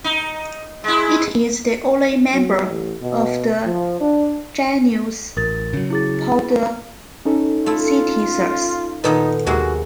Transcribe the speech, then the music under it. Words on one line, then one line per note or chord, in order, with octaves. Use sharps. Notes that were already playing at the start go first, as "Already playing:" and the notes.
It is the only member of the genus "Podocytisus".
D#4
G#3 E4
F#3
A1
B2
F3
D4
A1 A#4 A6
C#3 F#3
E4 G#4 A6
C#4 D#4 A4
A3 E4 F4
A#2 D#3 B3 D#4 A4 B4
D#2 C3 G#3 A#3 F#4